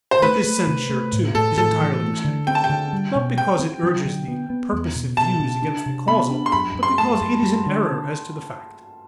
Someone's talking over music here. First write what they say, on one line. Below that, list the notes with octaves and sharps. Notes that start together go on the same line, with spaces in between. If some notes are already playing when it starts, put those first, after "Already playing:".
But this censure too is entirely mistaken, not because it urges the purposive views against the causal but because it is in error as to the facts.
C5
A3 B4
A3
C3
A3
A2
A2 A4
A2 A4
E3
A3
D3
C4 G5
A5
G5
D3
G3
B2
C4 G5
C4
F#3
D3
B3
B3
E2
B2
B2 A5
B2
D4
C3
B3 B5
D4
C6
F#2 B5
F#2
C6
A3 A5
F#2
G3
D3